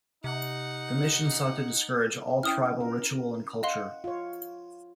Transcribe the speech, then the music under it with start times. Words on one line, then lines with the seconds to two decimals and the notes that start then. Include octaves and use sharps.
The mission sought to discourage all tribal ritual and culture.
0.24 C3 D#4 F#5
2.43 C#4 E4 G5 D#6 F6
2.81 A#4
3.63 D#5 F5 F#5 C6
4.04 F4 C#5